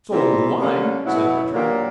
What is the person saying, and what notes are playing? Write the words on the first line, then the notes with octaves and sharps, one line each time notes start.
"So do I," said Richard.
A#2 G3 C4 E4 G#4
D3 G3 A#3 C#4
B2 F#3 B3 E4
A#2 F#3 A#3 D4 G4